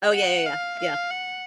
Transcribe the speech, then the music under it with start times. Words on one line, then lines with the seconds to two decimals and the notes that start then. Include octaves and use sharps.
Oh, yeah, yeah, yeah. Yeah.
0.14 F#5
0.46 F5
0.79 F5
1.11 F#5